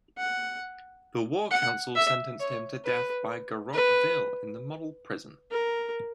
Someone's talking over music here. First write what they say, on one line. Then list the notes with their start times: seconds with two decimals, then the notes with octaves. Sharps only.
The war council sentenced him to death by garrote vil in the "Model" prison.
0.18 F#5
1.51 F#5
1.96 E5
2.40 C#5
2.85 B4
3.73 B4
5.51 A#4